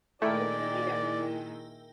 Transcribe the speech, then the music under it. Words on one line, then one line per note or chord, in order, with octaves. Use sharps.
Well, thank you,
A#2 D#3 G#3 A3 E4 A#4 D5 G5